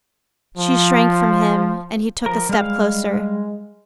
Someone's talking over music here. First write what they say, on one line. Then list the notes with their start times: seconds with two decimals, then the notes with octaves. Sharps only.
She shrank from him, and he took a step closer.
0.57 F3
2.26 F3 A#4
2.49 G3 G#3 F5